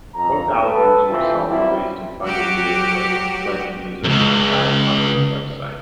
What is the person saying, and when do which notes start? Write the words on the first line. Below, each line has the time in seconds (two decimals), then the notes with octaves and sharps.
Both albums were self-released and funded via the Pledgemusic crowdfunding website.
0.15 F2 A#5
0.62 A4 B4
1.11 C3 E3 C4 E4 F4
1.48 F#3 G3 C4 E4
2.22 F#3 F#4 G4
4.04 C#2 F#2